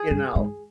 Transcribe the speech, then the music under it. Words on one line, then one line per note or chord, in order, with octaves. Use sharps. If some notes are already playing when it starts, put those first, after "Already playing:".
you know,
Already playing: G#4
G2
G#2